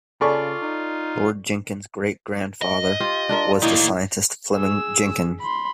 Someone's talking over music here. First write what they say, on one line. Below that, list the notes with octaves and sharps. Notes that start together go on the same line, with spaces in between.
Lord Jenkin's great-grandfather was the scientist Fleeming Jenkin.
C#3 F4 A4 D5 G#5 B5 C#6
D#4
D#5
F4 G4 C5
D4 F4 A#4
A2 D#3 A#3 D#4
G#4 E6
B5 C6